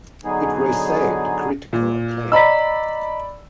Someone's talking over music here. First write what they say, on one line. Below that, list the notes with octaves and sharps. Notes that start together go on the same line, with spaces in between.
It received critical acclaim.
D3 F#3 B3 D#4 G#4
A#2
D5 D#5 A#5 B5 E6 B6